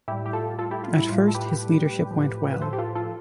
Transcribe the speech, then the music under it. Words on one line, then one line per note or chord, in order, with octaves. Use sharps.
At first his leadership went well.
A2 G3 E4 G4
G4
F4 A4
F4 A4
E4 G4
F4
E4
A2 G3 F4
A4
G4 B4
A2 F3
B4
A4 C5
G4
F4 A4
F4 A4